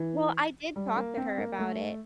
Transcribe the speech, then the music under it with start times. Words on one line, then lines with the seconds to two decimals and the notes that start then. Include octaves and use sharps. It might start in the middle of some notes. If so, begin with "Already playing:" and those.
Well, I did talk to her about it,
Already playing: E3
0.76 G3
0.96 A#3
1.17 C4
1.38 A#3
1.59 A3